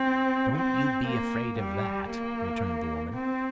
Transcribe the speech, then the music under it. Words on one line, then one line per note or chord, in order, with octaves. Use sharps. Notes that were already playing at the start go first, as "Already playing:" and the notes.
"Don't you be afraid of that," returned the woman.
Already playing: C4
C4
A#3
G3
A#3
C4